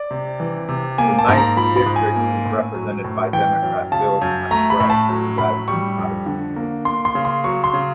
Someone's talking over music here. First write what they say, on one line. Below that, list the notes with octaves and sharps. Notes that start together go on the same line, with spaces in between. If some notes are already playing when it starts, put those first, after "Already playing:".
The Ninth District is represented by Democrat Bill Pascrell, who resides in Paterson.
Already playing: D5
C3
E3
C3
A#3 G#5
A5
G#2
A#5
F3 B5
B5
G#2
G#5
A#3
A2
F#3
A2
E3 G5
F#2
C#3 A5
F#2
A3 A#5
B5
A2
A5
F#3
A2 B5
G3 C#6
F2
D3
A#3
A#3 C6
C6
C#3
C6
F#3 C#6
C6
C#3